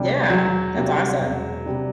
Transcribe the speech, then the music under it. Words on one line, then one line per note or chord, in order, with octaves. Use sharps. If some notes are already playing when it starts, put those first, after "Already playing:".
Yeah, that's awesome.
Already playing: D2 C3 G3 D4
E1 F#3
D2 C3 G3 D4
E1
C3 G3 D4